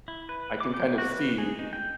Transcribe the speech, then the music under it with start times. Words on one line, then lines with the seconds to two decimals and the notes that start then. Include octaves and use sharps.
I can kinda see
0.08 E4
0.29 B4
0.61 D6
0.74 G5
0.98 F#4
1.11 B4
1.38 G#4
1.59 D#4
1.73 G5